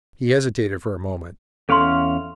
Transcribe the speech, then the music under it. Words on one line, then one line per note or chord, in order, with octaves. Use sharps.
He hesitated for a moment.
E2 C#4 A4 F5 C6